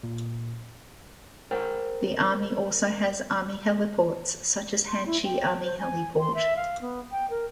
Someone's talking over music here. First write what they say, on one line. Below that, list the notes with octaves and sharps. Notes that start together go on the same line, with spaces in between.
The Army also has "Army Heliports" such as Hanchey Army Heliport.
A#2
A#4 C5 G5
C6
E4
G5
C5
G#5
C6
E5
F5
B3
G5
A#4